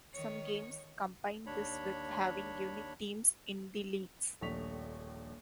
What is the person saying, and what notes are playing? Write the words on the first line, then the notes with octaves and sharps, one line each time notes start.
Some games combine this with having unique teams in the leagues.
D#3 C#5
D#2 D4 C#5 B5
D#1 A#1 A3 C#6 B6 F7